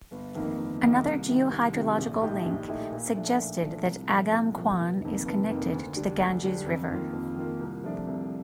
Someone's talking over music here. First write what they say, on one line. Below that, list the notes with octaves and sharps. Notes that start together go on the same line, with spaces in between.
Another geo-hydrological link suggested that Agam Kuan is connected to the Ganges river.
G1
F2 D#3 A#3 D#4
G1
F2 D#3 A#3 D#4
C2
C3 D#3
C2
C3 D#3
A#1
A2 A3 D#4 G4
A#1
A2 A3 D#4 G4
A#2
F3 A3 D4
A#2
F3 A3 D4
C2
A#2 F3 A3
C2
A#2 F3 A3
F1
F2 D#3 A#3 D#4
F1
F2 D#3 A#3 D#4
D2
D3 G3 D4
D2
D3 G3 D4
F2
D#3 A#3 F4
F2
D#3 A#3 F4
C2
C3 F3 A3 D4
C2